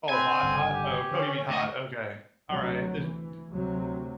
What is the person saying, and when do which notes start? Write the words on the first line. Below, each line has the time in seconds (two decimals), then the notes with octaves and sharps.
Oh, hot hot, oh oh you mean hot, okay, all right, is di
0.09 C4 B4 G#5
0.23 D3
0.43 G1 C#3
0.73 G4
1.11 D3 C#4
1.50 D2 D#5 C#6
2.50 D2 C3 F#3
2.99 E3
3.50 D2 C3 F#3